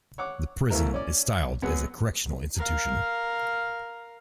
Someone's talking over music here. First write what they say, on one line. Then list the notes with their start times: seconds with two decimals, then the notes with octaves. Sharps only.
The prison is styled as a correctional institution.
0.18 C#5 F#5 D6
0.70 C2 A3 A#3 E4 A#4 A#5
0.94 C#4 D5
1.62 F#2 B3 G#4 B4 F#5
2.56 A#4 F5